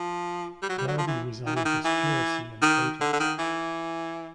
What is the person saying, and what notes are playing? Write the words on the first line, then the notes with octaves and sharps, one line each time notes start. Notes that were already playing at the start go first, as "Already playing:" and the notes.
Darby resigned his curacy in protest.
Already playing: F3
G3
F#3
G3
F#3
F3
E3
D#3
E3
D#3
E3
D#3
D3
D3
D#3
E3